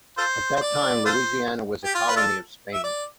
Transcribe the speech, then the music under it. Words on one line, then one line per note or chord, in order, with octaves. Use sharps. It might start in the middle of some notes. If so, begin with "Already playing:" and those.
At that time Louisiana was a colony of Spain.
F4 A4 C5
C5
D5
F4 A4 C5
G4
F4
B4
D4 F4 A4
E5
D5